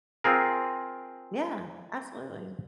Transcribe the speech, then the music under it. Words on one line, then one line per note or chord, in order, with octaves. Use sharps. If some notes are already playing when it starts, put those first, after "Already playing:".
Yeah, absolutely.
C4 F4 G#4 A#4